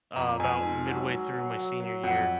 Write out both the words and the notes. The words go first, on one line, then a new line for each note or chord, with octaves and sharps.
uh, about midway through my senior year.
F2 A#5
F2 G#5
G#2
F#3
F#3
F#3
F#3
F#3
F2 F#5